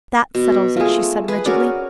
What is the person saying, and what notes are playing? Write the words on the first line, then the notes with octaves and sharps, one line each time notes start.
"That settles it," she said rigidly.
B2
G#3 A3 F4 G#4
G#4 B4
C#4 F#4 A#4 D5